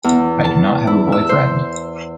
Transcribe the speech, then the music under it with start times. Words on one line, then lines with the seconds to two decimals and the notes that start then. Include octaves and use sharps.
I do not have a boyfriend.
0.04 E2
0.45 A5
0.87 E4
1.12 E6
1.29 C5